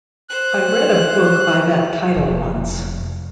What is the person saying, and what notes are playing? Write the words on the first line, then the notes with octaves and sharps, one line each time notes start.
I read a book by that title once.
C5 F#6
F1